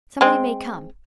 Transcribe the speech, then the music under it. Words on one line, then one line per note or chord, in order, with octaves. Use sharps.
Somebody may come.
G#3 C4